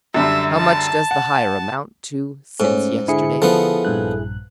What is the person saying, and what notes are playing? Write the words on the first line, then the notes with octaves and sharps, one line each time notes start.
"How much does the hire amount to since yesterday?"
F#2 D3 G3 E5
A5
F#5
G#2 A3 C#4
D3 E4 G#4 C#7
F3 B3 A4
A#1 G2 F#6